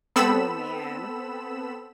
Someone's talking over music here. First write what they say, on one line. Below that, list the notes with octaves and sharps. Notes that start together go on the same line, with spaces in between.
Oh, man.
B3 C4 A4 B5 E6 E7